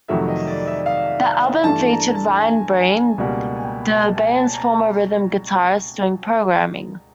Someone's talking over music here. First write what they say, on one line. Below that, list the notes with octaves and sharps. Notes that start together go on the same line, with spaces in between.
The album featured Ryan Breen, the band's former rhythm guitarist, doing programming.
F2 C3 D#3 F#3 A3 E5
D#5
D5
E5
F5
G2 E3 A3 A5
A#5
A5
G#5
G#5
C#2 B2 G3 A#3 G#5
G#5
G5
G#5
A5
G#5
A5
A#5